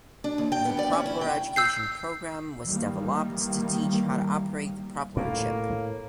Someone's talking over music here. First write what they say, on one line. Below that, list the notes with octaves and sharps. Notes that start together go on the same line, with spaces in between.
The Propeller education program was developed to teach how to operate the Propeller chip.
D4
D#2
G5
B3
D5
C#4
E4
G5
E6 G6 C7
D#3 E3 G3 A#3
A2 A#3